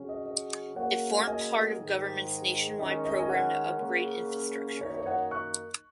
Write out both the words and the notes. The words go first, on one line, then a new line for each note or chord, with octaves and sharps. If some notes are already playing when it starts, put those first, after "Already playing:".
It formed part of government’s nationwide programme to upgrade infrastructure.
Already playing: C#3 F#3 C#4
D#5
D#5
C#3 F#3 A#3 C#5 F#5
D#5 G#5
G#2 D#3 G#3
D#3 G#3 C#4 D#5
D#5
G#5
C#5 F#5
C#3 A#3 C#4
F#2 D#3 A#3 D#4 C#5
C#5
C#5 F#5
C#6 F#6